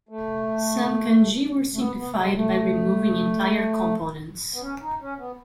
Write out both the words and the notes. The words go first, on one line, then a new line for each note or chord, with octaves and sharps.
Some kanji were simplified by removing entire components.
A3
A3
B3
B3
G#3
A3
B3
C#4
D#4
C#4
B3